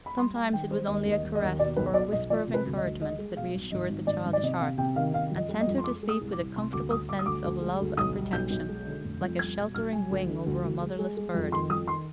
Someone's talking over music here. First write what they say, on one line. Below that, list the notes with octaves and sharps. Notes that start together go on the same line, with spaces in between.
Sometimes it was only a caress or a whisper of encouragement, that re-assured the childish heart, and sent her to sleep with a comfortable sense of love and protection, like a sheltering wing over a motherless bird.
B5
G3 C6
G3 G#5
D#3 G5
G3 C5
D#2 D#5
D#2
D#5
D#2
D#5
D#2
B2 D5
B1 B4
B2 D5
B1 D#5
F3 D5
C3
B4
D2
D#5
D2
G#3 D#5
G#3
B2 F5
B1
G#1 D#5
G#1
G#1 D5
G#1
D5
C3 D#5
C3 F5
C3 G5
D#3 F5
C3 F5
F2
D#5
G3
D#5
F2
C6
G#3 D6
G#3
D#6
C2
D6
C2
C3 C6
D2 D6
D2 D#6
D2 D6
D#6
D2 D6
D2
G#3
D2
B1 D#6
G3
B1 G6
B1
G#3
D3
F1
F2
G3 G#6
B2
B1 F6
G3 G#5
D2
D3
D2
D2
G#3
G#3
G#3
F2
D#3 C6
F2 D#6
D#3 C6